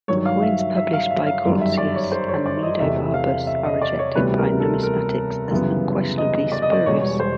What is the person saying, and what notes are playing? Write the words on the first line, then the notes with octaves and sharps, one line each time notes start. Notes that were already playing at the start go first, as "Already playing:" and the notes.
The coins published by Groltzius and Mediobarbus are rejected by Numismatics as unquestionably spurious.
G2 D#3 F#3 C#5
F5
E5
E5
E5
F5
E5
F5
G1 F#2 D#3 G3
E5
D5
C#5
C5
C#5
D5
D#5
E2 C3 E3 A3 E5
F5
E5
D#5
D5
C#5
D2 C3 E3 G3 B3 B4
A#4
A4
A#4
F#2 C#3 E3 G3 B3
D#5
D5
D#5
D5
E1 E2 B2 G3 C#5
C5